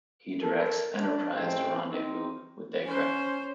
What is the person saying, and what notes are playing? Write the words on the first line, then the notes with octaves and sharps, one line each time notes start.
He directs "Enterprise" to rendezvous with Degra.
A4 A#4
D4
A1 G2 G#3 A3 C4
C4 D#4
C#4 C5